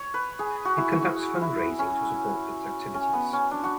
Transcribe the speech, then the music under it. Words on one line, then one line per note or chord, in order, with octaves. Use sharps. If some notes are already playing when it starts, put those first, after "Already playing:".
It conducts fundraising to support its activities.
Already playing: C#5
B4
G#4
F#4
E4
F#4
E4
C#4
C#4
B3
C#4
D4
F#4